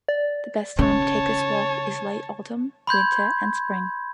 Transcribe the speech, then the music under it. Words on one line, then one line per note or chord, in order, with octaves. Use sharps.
The best time to take this walk is late autumn, winter and spring.
D5
C#3 C#5 A5
B5 C6 G6 G#6